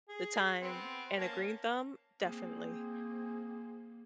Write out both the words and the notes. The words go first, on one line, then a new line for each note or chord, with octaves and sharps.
the time, and a green thumb, definitely.
G#4
B3 C4
A#3 C#4 A5
A#3 C4 G#4